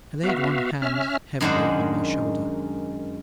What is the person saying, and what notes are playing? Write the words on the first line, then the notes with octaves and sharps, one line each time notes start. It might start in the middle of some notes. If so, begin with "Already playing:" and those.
He laid one hand heavily on my shoulder.
B3 F#4 E5 F5
C#4 E5 F6
F#2 D#3 G#3 D4 C5 F#5